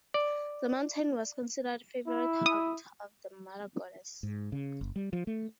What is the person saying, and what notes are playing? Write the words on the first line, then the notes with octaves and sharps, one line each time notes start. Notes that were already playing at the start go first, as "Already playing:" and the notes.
The mountain was considered a favorite haunt of the mother goddess.
D5
E4
D#6
G#2
C#3
F#1
G3
F3
A3